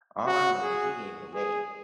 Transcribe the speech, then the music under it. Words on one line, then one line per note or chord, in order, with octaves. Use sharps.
All I know is, she gave it away,
F#4
G#4
G#4